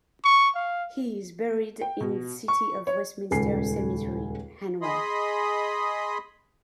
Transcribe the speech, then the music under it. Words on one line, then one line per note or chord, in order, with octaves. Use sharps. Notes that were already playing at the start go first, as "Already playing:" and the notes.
He is buried in City of Westminster Cemetery, Hanwell.
C#6
F5
G5
B2
C#6
C#5
D#1 C#2 A4 G#5 C7
G#4 D#5 B5 C6 D#6